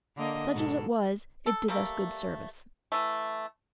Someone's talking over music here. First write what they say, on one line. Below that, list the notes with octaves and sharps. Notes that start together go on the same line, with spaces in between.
Such as it was, it did us good service.
D3 A#3 D#5
G#2 B2 A4
A4
G3 A3 A#3
E3 A3